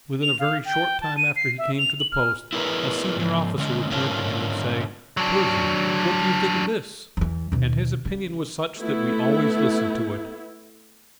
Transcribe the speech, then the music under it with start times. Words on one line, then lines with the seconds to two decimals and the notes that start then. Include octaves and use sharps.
Within a very short time after he came to the post, a senior officer would turn to him, and say: 'Pershing, what do you think of this?' and his opinion was such that we always listened to it.
0.23 F7
0.39 F5
0.65 G5
1.01 A5
1.17 D#7
1.36 C7
1.58 E5
1.78 F7
2.00 F#7
2.12 F6
2.53 E4 G#4 A#4 B4
3.16 G#2 F3
3.58 D3 G#3 C#4
3.90 G#2 D3 C#4 F4 A#4 A5
5.17 F#3 D4
7.17 E2 E3
7.52 D#2 B2
8.06 C#3
8.77 A3 B3 E4